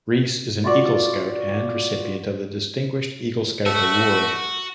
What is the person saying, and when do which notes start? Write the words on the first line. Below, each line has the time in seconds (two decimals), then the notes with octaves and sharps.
Reece is an Eagle Scout and recipient of the Distinguished Eagle Scout Award.
0.64 F4 F#4 D5
3.66 A3 F#4